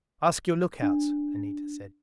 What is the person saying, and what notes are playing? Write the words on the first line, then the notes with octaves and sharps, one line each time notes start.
"Ask your lookouts," Anita said.
D4